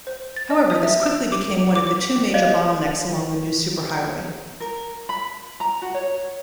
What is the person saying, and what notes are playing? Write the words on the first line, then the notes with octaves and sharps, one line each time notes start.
However, this quickly became one of the two major bottlenecks along the new superhighway.
C5
A6
D#5
D#6
E5
D6
D6
D6
B6
C#5 D#5 F5
A#4
B5
A#5
F#4
C#5